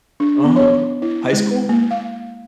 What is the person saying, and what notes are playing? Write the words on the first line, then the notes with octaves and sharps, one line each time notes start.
Uh-huh. High school?
D4
B3
C#5
E4
G#3
A#3
F5